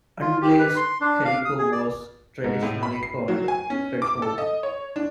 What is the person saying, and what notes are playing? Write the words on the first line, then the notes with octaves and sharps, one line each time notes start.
Unglazed calico was traditionally called "cretonne".
F4
G4
B4
C6
D4
F5
D#6
G#4
D5
G#2
A2
B5
C7
F#3
G#5
C#4
D6
A4
D#5
C#5
D4